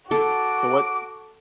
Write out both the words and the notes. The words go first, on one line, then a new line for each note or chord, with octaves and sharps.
So, what
F#4 A4 D6